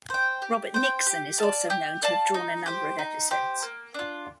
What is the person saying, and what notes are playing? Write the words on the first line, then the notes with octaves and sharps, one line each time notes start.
Robert Nixon is also known to have drawn a number of episodes.
C5 G5
G4
C5 G5
G4
D5 F5 A5
G4
D5 F5 A5
D#4
G4 C5
D#4
G4 C5
A#3
D4 F4